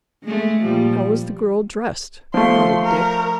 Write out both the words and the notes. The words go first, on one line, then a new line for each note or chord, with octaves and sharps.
"How was the girl dressed?" cried Dick.
G#3 A3
A#2 F3 G3
F3 A3 C6
A#4